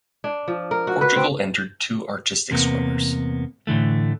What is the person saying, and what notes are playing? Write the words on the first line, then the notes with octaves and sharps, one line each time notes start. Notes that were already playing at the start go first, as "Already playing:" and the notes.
Portugal entered two artistic swimmers.
D4
F3
A#4
F#4
B4
C4
E2 C3 A#3 B3
A2 D3 E3 A3